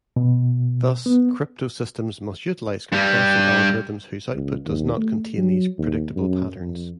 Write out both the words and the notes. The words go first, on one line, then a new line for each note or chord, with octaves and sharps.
Thus, cryptosystems must utilize compression algorithms whose output does not contain these predictable patterns.
B2
B3
G2 G3
C#2
D#2
A3
F#3
D#2
F#2
F2